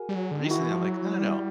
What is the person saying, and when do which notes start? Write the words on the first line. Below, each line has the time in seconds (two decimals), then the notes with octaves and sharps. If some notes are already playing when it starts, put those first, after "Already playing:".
recently, I'm like, "No, no, no,
Already playing: F#4 G#4 A#4
0.09 G3
0.15 F#3
0.31 D3
0.45 D#3
0.50 E4 F#4
0.57 E3
0.71 F3
0.85 F#3
1.19 G3